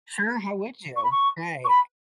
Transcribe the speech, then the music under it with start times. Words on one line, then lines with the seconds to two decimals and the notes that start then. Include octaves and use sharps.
Sure, how would you? Right.
0.96 C#6
1.03 B5
1.11 C#6
1.64 C#6
1.68 B5